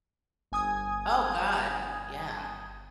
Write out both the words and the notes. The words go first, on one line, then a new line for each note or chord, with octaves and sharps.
Oh, god, yeah.
G1 G#5 D#6 G#6